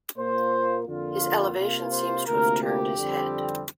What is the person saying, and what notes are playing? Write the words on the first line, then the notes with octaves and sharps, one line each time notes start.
His elevation seems to have turned his head.
A#2 A#3 F4 C5
F2 D3 A#3 F4
C3 A#3 F4
C5
D2 C3 A#3 F4 A#4
G4
F2 D3 G3 C4